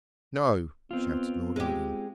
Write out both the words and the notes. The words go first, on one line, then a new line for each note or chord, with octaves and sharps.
"No," shouted Lord Arden.
B3 C4 F4
G#3 G4